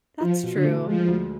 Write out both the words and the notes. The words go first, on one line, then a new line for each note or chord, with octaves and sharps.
That's true,
F3 F4
B2
D3
A3
F3 G#3
D2